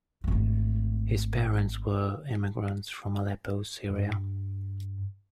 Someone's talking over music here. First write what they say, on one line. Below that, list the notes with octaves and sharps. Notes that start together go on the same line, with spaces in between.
His parents were immigrants from Aleppo, Syria.
G#1 A3
G2